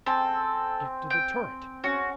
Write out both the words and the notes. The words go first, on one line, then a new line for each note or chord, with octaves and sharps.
Get to the turret!
C4 A4 G#5
G5
C#4 F#4